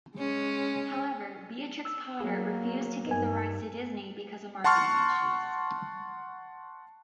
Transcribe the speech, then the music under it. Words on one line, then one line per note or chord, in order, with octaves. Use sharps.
However, Beatrix Potter refused to give the rights to Disney because of marketing issues.
G#3 C#4
E6
F#3 A#3 G#4
G2 D#4 A#4 G#5
F#5 A5 C6 C#6 F6